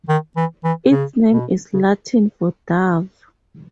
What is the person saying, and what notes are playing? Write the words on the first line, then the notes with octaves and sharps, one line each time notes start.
Its name is Latin for dove.
D#3
E3
E3
C#3
B2
C#3